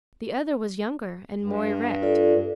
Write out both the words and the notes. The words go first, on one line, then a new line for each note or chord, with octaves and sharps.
The other was younger and more erect.
G2
F4 A4 D5